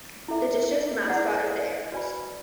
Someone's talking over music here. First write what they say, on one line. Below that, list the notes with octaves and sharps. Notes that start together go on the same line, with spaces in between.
The district's mascot is the Arrows.
E4 A4 E5
E4 G#4 D5 F#5
F#4 B4 D5 G#5 B5